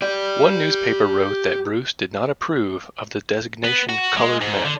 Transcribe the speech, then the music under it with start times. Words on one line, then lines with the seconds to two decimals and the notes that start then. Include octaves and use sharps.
One newspaper wrote that Bruce did not approve of the designation colored men.
0.02 G4 D5
3.65 B3
3.89 F#4
4.17 G#3
4.41 G#2
4.65 D3